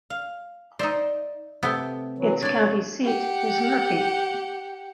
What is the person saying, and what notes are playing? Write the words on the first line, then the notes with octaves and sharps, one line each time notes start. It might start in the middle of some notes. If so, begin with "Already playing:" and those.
Its county seat is Murphy.
F5
D#4 C5 D5 E5
C3 A3 B3 G5
E3 F#3
D4 C#5 D5
G4 F#5